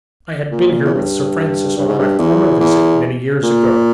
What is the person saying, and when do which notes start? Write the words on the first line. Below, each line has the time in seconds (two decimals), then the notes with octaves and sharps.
I had been here with Sir Francis on my former visit, many years ago.
0.51 A#2
0.84 E2
0.93 G2
1.77 G2
1.88 G#2
1.99 G2
2.19 E2
2.60 E2
3.43 A#2